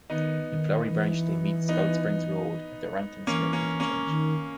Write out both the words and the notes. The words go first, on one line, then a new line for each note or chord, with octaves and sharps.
In Flowery Branch they meet Spout Springs Road at the Rankin Smith Interchange.
D#3 B3 D#4
D#3
E3
B3 D#4
E3 A#3 C#4
A#3 C#4
A#3 C#4
D#3